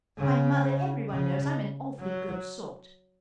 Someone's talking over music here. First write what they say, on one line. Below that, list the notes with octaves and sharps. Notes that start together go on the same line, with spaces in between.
"Why, mother, everyone knows I'm an awfully good sort."
C#3
C#3
F#3